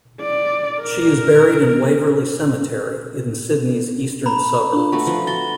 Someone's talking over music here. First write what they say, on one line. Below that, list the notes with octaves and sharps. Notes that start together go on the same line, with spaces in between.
She is buried in Waverley Cemetery, in Sydney's eastern suburbs.
D5
A#4
A#5 B5
D4 F4
A3 F#4 B4
F3 B4
F#4 A6 G7